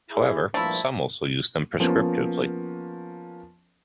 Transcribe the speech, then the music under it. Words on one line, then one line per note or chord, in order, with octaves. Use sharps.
However, some also use them prescriptively.
E4 G#4
G2 A#2 F3 A3 E4
F3 A#3 B3 C#4